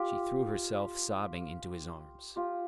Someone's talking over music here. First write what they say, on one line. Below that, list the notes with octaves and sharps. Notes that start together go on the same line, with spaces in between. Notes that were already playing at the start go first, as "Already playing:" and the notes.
She threw herself sobbing into his arms.
Already playing: F4 G4
F4 G4